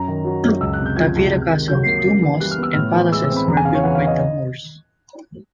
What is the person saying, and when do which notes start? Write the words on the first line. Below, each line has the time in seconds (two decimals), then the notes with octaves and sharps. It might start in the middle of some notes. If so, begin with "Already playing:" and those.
Tavira Castle, two mosques and palaces were built by the Moors.
Already playing: F#2 A#5
0.08 D#3
0.25 F#3
0.43 F#2
0.61 C#2 E6
0.73 F#6
0.80 C3
0.86 G6
0.96 F3 G#6
1.15 C#2
1.33 C3
1.50 D#3
1.68 F#3 G6
1.86 A#3
2.04 C#3
2.22 E3
2.40 G3 F#6
2.51 F6
2.58 B3 E6
2.73 A2 F6
2.94 E3
3.11 G#3 E6
3.24 E6
3.30 C4
3.36 B5
3.48 E2 A#5
3.57 G#5
3.65 C#3 F5
3.75 C#5
3.83 E3 F#5
3.95 F5
4.07 D#5